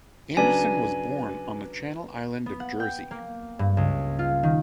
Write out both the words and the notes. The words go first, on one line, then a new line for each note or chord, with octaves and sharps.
Anderson was born on the Channel island of Jersey.
C#3 F#3 D4 B4 G#5 A6 B6
B3
F#5
G5
A#3
G2
C#2
F4
D#3